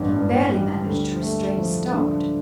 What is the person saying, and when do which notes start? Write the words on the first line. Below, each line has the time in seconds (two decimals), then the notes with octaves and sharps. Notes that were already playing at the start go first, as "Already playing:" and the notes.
He barely managed to restrain a start.
Already playing: A1 G2
0.14 G2
0.50 G3
0.86 D2
1.22 A3
1.58 F3
1.94 D3